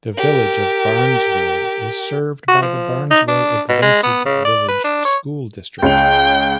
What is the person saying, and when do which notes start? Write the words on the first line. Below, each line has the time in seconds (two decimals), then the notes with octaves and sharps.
The village of Barnesville is served by the Barnesville Exempted Village School District.
0.15 G4 A#4
2.48 F#4
2.62 F3
3.11 D#4
3.28 D4
3.69 B2
3.82 G#3
4.03 B3
4.26 C#3
4.45 D5
4.68 B4
4.84 D4
5.05 C#5
5.82 C#2 C#4 G5 F7